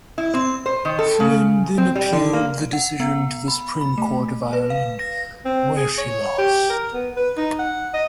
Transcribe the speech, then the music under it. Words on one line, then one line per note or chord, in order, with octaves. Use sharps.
Flynn then appealed the decision to the Supreme Court of Ireland, where she lost.
E4
C4
C5
D#3
A4
C#3
C4
G3
D3
A#3
F#5
B3
B5
B5
A3
B4
F5
A#6
C4
G#4
C#5
G4
A#4
B3
B4
D#4
F#5
D#5